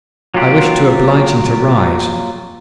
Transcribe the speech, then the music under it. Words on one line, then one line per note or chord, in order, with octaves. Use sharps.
I wished to oblige him to rise.
F#3 A#3 F4 G4 F#5